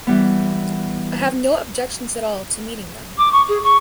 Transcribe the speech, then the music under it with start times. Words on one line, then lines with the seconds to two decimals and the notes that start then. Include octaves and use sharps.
I have no objections at all to meeting them.
0.07 E3 G3 B3
3.17 D6
3.31 C#6
3.48 G#4
3.63 C#6